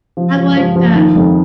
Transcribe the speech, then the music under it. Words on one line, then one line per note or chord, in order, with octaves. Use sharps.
I like that.
F3
F3
F3
F3
D#3
F2